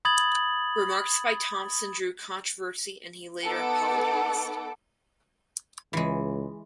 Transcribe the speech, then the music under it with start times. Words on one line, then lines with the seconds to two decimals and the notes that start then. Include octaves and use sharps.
Remarks by Thompson drew controversy and he later apologized.
0.05 B5 D#6 G#6 A6 F#7
3.47 B3 D#4 A4 B4 F#5 D6
5.93 C#2 E3 G#3